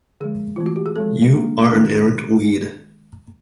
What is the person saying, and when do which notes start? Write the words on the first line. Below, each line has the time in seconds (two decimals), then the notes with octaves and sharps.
You are an errant weed.
0.21 D3 F3 G#3 G#4
0.56 E3 A3 C4 F4
0.66 F#4
0.76 G4
0.86 G#4
0.96 F3 G#3 C4 A4
1.34 G3 A#3 D4
1.71 D#3 G#3 B3 D4 A#4